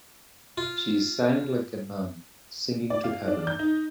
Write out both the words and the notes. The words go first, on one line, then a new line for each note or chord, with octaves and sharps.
She sang like a nun singing to heaven.
F4
D5
F5
D4
G6
D#4